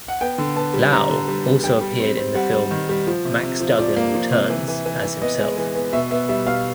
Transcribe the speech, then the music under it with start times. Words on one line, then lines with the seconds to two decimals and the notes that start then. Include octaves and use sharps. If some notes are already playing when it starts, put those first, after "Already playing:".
Lau also appeared in the film "Max Dugan Returns" as himself.
0.08 F#5
0.21 B3 G5
0.38 D3
0.56 B3 A5
0.74 G3
0.92 D3 A#5
1.09 D3
1.28 G3
1.46 B3
1.64 G3 G5
1.81 G3
2.00 C4
2.17 C4
2.35 G3 F#5
2.53 G3
2.71 D#3
2.89 G3
3.07 F3
3.25 C3
3.43 C3
3.60 F3
3.78 F3 D5
3.96 A#3
4.15 F3
4.31 C3
4.50 E3
4.68 E3
4.86 E3
5.03 E3
5.21 B3 D#5
5.39 G#3
5.57 E3
5.75 B3
5.93 B2 E5
6.11 B3 E5
6.29 G3 E5
6.47 B2 F5